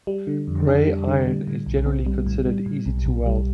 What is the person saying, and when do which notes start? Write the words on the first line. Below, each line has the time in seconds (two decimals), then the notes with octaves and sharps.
Gray iron is generally considered easy to weld.
0.07 G3
0.27 D3
0.47 F2
0.67 D4
0.87 G3
1.07 D3
1.27 G3
1.47 A2
1.66 B1
1.86 C4
2.07 G3
2.27 A2
2.46 G3
2.66 A2
2.86 B1
3.06 B1
3.26 G3